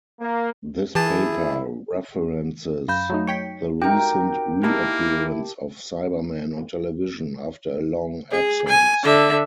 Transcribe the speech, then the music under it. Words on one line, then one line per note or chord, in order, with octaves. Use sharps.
This paper references the recent reappearance of Cybermen on television after a long absence.
A#3
E3 E4 G#4 A5 A6
F#2 F5 B5 G6
F#3 A3 D#4
C#5 G5 B6 C#7
D#4 F#4 G4 A#4 G5
A#3 D#4 E4 G4 A5
G#4
G#5
D3 E5